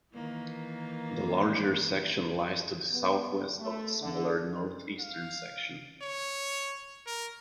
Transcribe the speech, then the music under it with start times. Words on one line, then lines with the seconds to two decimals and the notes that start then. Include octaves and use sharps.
The larger section lies to the southwest of the smaller northeastern section.
0.14 D#3 E3 A#3
2.92 B3
3.60 A3
4.02 D3
5.00 F5
6.02 C#5
7.07 A#4